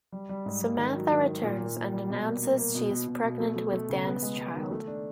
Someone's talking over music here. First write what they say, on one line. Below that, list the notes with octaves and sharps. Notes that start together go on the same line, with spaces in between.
Samantha returns and announces she is pregnant with Dan's child.
G3
G3
G#2
G3
D#3
F#3
D#3
D#3
A#2
A#3
A#3
G3
B2
A#3
A#3
A#3
B2
B2
B2
B2
A3
A3
A3
C#3
B3
G#3
G#3
D#3
A3
D4